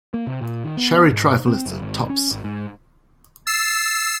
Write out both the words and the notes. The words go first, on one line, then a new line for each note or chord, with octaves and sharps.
Sherry trifle is the tops!
A#3
C3
A#2
D#3
B3
G#2
C4
F#1
G#1
C#4
G#1
G#2
E6 A6 C7